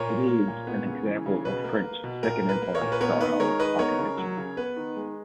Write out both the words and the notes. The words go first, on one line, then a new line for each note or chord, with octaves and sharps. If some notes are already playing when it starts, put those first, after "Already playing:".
It is an example of French Second Empire-style architecture.
Already playing: A#2 A#4 C#5
A#3
A#3
A#2
B3
C#3
E3
C#3
B2 B4
A#3
A#3
B2
A#2 A#4
A#3
B4
A#3
A#4 C#5
A#2
B4
B3 A#4 C#5
D#3 B4
G#3 A#4 C#5
D#3 B4 D#5
B3 A#4 C#5
C#3
F#3
C#3
B3 B4
D#3
G#3